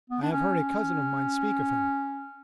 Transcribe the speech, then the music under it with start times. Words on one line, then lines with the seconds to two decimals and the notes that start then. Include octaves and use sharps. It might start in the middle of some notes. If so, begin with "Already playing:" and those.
"I have heard a cousin of mine speak of him."
0.10 B3
0.23 D4
0.32 C#4